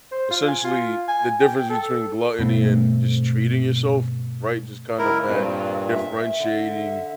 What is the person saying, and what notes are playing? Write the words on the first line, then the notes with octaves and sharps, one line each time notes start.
essentially the difference between gluttony and just treating yourself, right, just kind of that differentiating
C5
F4
G#5
F4
G#5
G5
A4
G2 B2 A3 C4
C#2 E4 A#4
G2 A#2 C4 F4
E5
D3